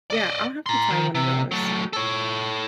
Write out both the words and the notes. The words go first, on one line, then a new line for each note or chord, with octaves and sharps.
yeah, I'll have to try one of those.
D5 D#5
A#5 C6
D#3
C3
F#3 A3
A4 C#5